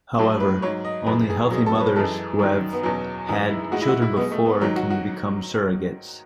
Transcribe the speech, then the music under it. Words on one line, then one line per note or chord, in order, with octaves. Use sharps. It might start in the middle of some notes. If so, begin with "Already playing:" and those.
However, only healthy mothers who have had children before can become surrogates.
A2 F#3 A4
B4
G#2 F#3 C#5
D#5
F#2 E3 G#3 B4
G#4
B2 F#3 G#4
A4
C#5
B4
F#2 E3 G#3 A4
F#2 D#3 F#3
B3
E2 B2 F#3 C#4
F#2 E3 G#3 D#4
E4
A2 G#3 F#4
E4
F#4
E4
B2 G#3 B3
A3
B3
G#2 D#3 F#3 C#4
F#4
F#4